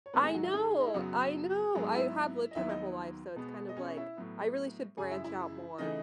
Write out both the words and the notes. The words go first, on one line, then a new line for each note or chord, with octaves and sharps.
I know, I know. I have lived here my whole life, so it's kind of like, I really should branch out more
C#5
G#2 D#3 A3 B3 B4
G#3 G#4
F#3 F#4
E4
G#3 G#4
D#4
E4
F#2 C#3 F#3 B3 F#4
G#2 F#3 G#3 B3 G#4
E4 E5
D#5
D#2 D#3 F#3 B3 E4 E5
D#4 D#5
B2 G#3 B3
D#5
C#4 C#5
E4 E5
A2 F#3 B3
F#2 C#3 G#3 G#4 G#5
E4 E5
E4 E5
C#3 E3 A3 D#4 D#5